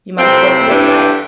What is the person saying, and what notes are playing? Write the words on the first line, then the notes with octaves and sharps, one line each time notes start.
You might have broken your leg.
F2 C3 E3 A3 C4
G2 E3 A3 D4 G4